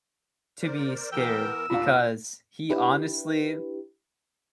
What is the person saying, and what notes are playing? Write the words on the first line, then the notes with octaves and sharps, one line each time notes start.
to be scared because he honestly
A#4 C5 D5
E3 B3 G4 A4 A#4 G5 E6
D#2 A#2 D4 F4 F5
D4 E4 G4 B4